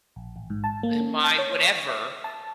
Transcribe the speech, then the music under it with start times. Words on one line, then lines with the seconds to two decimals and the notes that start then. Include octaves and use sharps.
uh, my" whatever.
0.16 A#1
0.36 A1
0.50 G#2
0.64 A5
0.83 A#3
1.00 C#4
1.24 A5
1.38 C#5
1.59 C#6
1.89 E5
2.24 A5